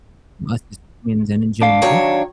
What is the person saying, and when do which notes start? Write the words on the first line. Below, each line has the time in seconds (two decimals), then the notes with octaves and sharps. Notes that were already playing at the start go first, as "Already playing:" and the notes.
um, us as humans and in general,
1.62 D4 F5
1.82 D#3 F#3 C#5